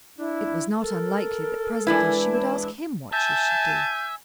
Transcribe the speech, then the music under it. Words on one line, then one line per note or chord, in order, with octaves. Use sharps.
It was not unlikely that presently she would ask him what she should do.
D4 E4
A4 A#4
E3 G#3 D4 E4 B4
E5 G#5 A5 G6